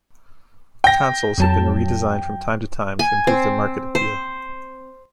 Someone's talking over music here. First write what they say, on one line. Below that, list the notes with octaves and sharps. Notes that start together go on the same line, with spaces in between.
Consoles have been redesigned from time to time to improve their market appeal.
G5 A#6
F2 F#3 A5
G#5
C4
C5